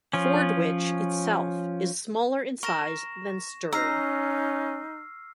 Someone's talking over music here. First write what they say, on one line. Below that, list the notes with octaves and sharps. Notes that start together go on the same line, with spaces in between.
Fordwich itself is smaller in size than Sturry.
F3 C#4
A#4 C#6 A#6 E7
C#4 D#4 A#5 E6 F6 C7